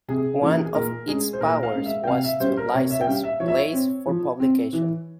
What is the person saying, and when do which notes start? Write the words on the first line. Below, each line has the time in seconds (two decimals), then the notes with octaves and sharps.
One of its powers was to license plays for publication.
0.08 C3 G#4
0.41 E3 A#3 C#4
0.65 G#4
0.74 A#2 A#4
1.07 G#3 C#4 G#4
1.33 C5
1.41 A#2 A#4
1.63 F5
1.74 G#3 C#4
1.86 E5
2.04 G5
2.07 C3 F5
2.24 E5
2.40 G3 C#4 C5
2.57 A#4
2.73 C3 C#5
2.91 E5
3.01 G5
3.07 G3 C#4 F5
3.24 E5
3.40 F3 C#5
3.48 E5
3.57 C#5
3.73 C4
4.07 F3
4.40 C4
4.73 E3